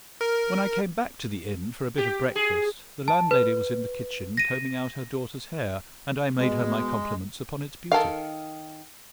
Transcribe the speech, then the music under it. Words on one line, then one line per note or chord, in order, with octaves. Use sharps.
When I came back to the inn for a bit of breakfast, the landlady was in the kitchen combing out her daughter's hair; and I made her my compliments upon its beauty.
A#4
G4
G#4
A5
B4
A#6 D#7
B2 G#3
D#3 A4 A#4 F5